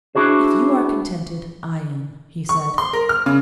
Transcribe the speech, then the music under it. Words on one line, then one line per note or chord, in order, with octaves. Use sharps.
'If you are contented, I am,' he said.
D4 E4 F#4 G#4 C5
C#6
C6
A#4
F6
C#3